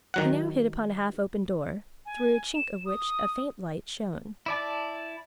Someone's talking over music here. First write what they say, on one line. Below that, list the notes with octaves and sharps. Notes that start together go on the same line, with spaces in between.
He now hit upon a half-open door, through a chink of which a faint light shone.
D#3 F#3 F#5
G#5
E7
D#6
E4 D5 A5